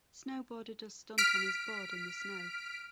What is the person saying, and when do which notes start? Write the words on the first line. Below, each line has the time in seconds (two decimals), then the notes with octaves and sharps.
Snowboarder does stunt on his board in the snow.
1.18 F6 B6 D7